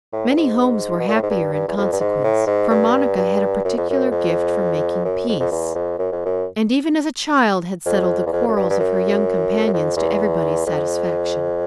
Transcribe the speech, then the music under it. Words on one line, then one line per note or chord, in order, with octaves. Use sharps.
Many homes were happier in consequence, for Monica had a particular gift for making peace, and even as a child had settled the quarrels of her young companions to everybody's satisfaction.
A2
G2
G#2
B2
A#2
A2
G#2
G2
G2
E2
F2
G2
G#2
A2
G#2
G2
G2
F#2
F2
F#2
F2
F#2
F2
F2
E2
F2
F#2
F2
F#2
F2
E2
F2
F#2
G2
G2
F#2
F#2
F2
E2
F2